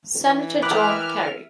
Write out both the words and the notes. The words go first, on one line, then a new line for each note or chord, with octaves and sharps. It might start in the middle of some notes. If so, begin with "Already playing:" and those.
Senator John Kerry.
E3
A#4 E5 G5 B5 D6 F6 F#6